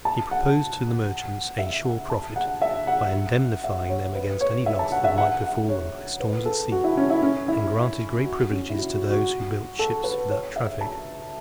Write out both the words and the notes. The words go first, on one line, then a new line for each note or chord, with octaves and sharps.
He proposed to the merchants a sure profit, by indemnifying them against any loss that might befall them by storms at sea; and granted great privileges to those who built ships for that traffic.
A5
F#5
E5
F#5
A5
F#5
E5
F#5
E5
C#5
B4
C#5
E5
A5
F#5
E5
F#5
F#5
C#5
B4
A4
F#4
E4
C#4
E4
C#4
E4
F#4
C#4
E4
F#4
F#4
F#4
A4
B4
C#5
E5
A5